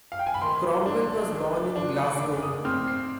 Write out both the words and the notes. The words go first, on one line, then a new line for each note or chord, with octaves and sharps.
Cromwell was born in Glasgow.
F5
G5
G#5
B5
D#3 C6
D4
D#3
D4
D#3 D6
D#6
C4 F6
C7